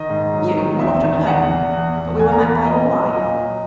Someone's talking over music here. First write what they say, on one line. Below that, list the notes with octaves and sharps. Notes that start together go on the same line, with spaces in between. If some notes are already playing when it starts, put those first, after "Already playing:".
You were not at home, but we were met by your wife.
Already playing: D#3 D#5
G#2
F#3
D#3
E2 E5
D#3
E2 F#5
E2
E2
E2
E2 G#5
A#5
E2 A#5
B5
A#2 D#5
F#3
A#2 D#5
F#3